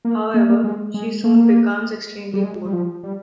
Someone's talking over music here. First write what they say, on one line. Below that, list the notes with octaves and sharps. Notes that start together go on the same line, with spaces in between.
However, she soon becomes extremely bored.
A#3
A#3
A#3
G#3
G#3
A#3
G3
G#3
G3
F3
G3